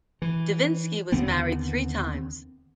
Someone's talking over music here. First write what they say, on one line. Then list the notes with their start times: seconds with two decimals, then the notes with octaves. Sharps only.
Divinsky was married three times.
0.22 E3
1.12 D#2 D3 B3 C4